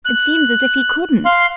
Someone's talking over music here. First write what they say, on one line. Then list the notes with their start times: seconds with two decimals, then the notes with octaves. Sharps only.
"It seems as if he couldn't."
0.06 F#6
1.25 F5 C6